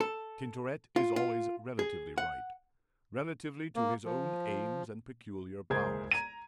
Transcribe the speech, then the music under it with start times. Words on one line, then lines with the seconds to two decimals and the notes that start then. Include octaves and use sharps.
Tintoret is always relatively Right--relatively to his own aims and peculiar powers.
0.01 A4
0.96 F4
1.16 F4
1.79 G#4
2.18 F#5
3.76 A#3
4.05 F3
5.70 F#1 C#2 G#4 A#4 C5 G#6
6.11 A#5 G#6 D#7